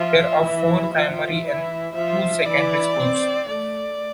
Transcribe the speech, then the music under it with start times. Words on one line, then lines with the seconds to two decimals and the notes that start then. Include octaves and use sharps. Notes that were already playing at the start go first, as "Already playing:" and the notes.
There are four primary and two secondary schools.
Already playing: F3 F4 E5
0.42 E3 E4
0.93 F3 F4 E5
1.44 E3 E4
1.95 F3 F4 E5
2.46 E3 E4 D5
2.97 C4
3.48 A3 D5